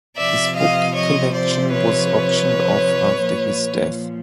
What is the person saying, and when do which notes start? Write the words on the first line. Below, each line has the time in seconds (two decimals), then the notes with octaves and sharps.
His book collection was auctioned off after his death.
0.17 C3 F3 D5 E5
0.56 D#5 F5
0.94 C#5 D#5
1.33 C5 D5
1.72 B4 C#5
3.27 A#2 F3